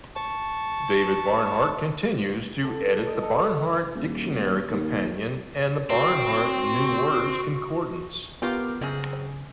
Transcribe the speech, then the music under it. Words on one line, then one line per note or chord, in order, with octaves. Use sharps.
David Barnhart continues to edit the "Barnhart Dictionary Companion" and the "Barnhart New-Words Concordance".
A5 C#6
A4
D#5
A4
D#1
D#2
C4 F#4
B3 F4 G4 A#4
F#2 C#3 C4 G#4